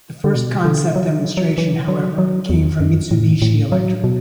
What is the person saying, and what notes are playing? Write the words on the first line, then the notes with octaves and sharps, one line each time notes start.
The first concept demonstration however came from Mitsubishi Electric.
D3
B2
D3
F#3
F#3
E3
F#3
F#3
E2
F#2
A2
A2
F#3
B2